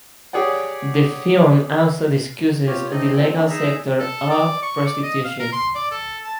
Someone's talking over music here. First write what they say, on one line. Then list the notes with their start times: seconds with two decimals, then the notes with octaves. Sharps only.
The film also discusses the legal sector of prostitution.
0.33 G4 G#4 C#5 D5 F#5
2.67 F4 G4 C#5
2.91 A3 C4 D#4 D5 D#5
3.16 F#2 A#2 D3 C4 G5
3.35 D3 A#3 D4
3.50 D#4 G#4 E5 A#5
3.99 A4
4.30 D5
4.62 C#6
4.86 D5
5.03 D#5
5.24 F5
5.39 A#4
5.52 C6
5.75 D5
5.91 A4
6.24 A5